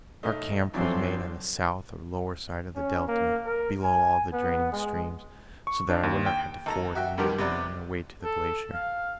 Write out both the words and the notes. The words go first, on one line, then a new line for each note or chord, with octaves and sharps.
Our camp was made on the south or lower side of the delta, below all the draining streams, so that I would not have to ford any of them on my way to the glacier.
B1 A3 D#4
E2 F3 F#3 C4 D4 E4 A4 C6
C#4
A#3
A#4
G#5
B3
G#3
C#6
D4
D#2
G5
D#2 A4 A#5
F#4 E5 G5
G2 B2 D3 D#3 G4 A#4
C3 B3 B4 D5
A4
F5